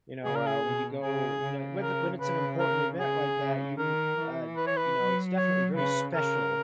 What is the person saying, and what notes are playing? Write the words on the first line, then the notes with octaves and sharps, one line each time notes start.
You know, uh, when you go when a whe th when it's an important event like that, you, uh, you know, it's definitely very special
C#3 G#4
A#4
G#4
B2
C#3 G#4
C#3
A#4
C#3 B4
A#4
C#3 G#4
C#3
D#3 A#4
E3
B4
C#5
B4
F#3
C#5
C#3 B4
C#3 A#4